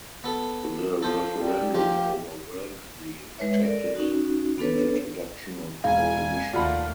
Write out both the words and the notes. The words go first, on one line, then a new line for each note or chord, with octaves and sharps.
The referendum overwhelmingly rejected the introduction of prohibition.
B3 A4
F3 A4 C5
G3
F3 F4 G4
G#3 B4 C#5 E5
A4 A#4 D5
C#4 D#4 F#4
B3 D4 A4 B4 C#5
E1 F5 G#5
D#2 A3 A#3 F4 D5 F#5 B5